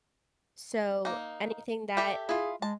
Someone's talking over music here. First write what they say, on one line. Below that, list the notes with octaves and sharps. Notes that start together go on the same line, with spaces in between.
so anything that
A#3 D#4
G4 A4 E5
E4 F4 G#4
G#3 A5